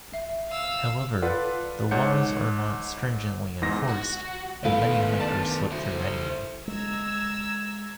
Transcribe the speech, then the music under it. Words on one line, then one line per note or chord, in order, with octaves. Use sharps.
However, the laws are not stringently enforced, and many hikers slip through anyway.
E5
F5 E6
F4 A4 B4 D5 F#5
G#2 C#5 F#5 A5 G6 C#7
E2 G#2 A#6
F#4
D#3 A3 B3 E4 B4 F5
D4 D5 A5
E4 F#4 C5
G#3 A#5 E6 G#6